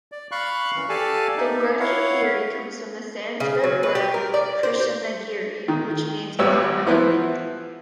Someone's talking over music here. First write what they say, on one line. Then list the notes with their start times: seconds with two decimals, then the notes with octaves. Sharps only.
The word Kanheri comes from the Sanskrit word "Krishnagiri" which means "black mountain".
0.12 D5
0.32 F5 B5 C#6 F#6
0.75 F#2 E3
0.89 G4 A4 D5 F5 G#5 A5
1.37 D#4 E5
1.80 E4 C#5 F5 F#5
3.40 C#3
3.64 F#3
3.83 B4
3.95 G4
4.14 A#4
4.34 D5
4.63 C5
4.80 G4
5.68 D#3
6.39 G#1 G3 B3 C#5 E6
6.87 E3 F3 B3 E4